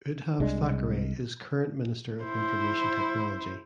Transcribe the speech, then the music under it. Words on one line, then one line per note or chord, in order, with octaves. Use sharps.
Uddhav Thackeray is Current Minister of Information Technology.
C2 G#3 D4
E4 C5